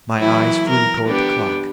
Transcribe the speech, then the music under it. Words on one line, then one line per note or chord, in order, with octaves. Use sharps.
My eyes flew toward the clock.
E3 F#3 E4
A#4
B3 D4 G4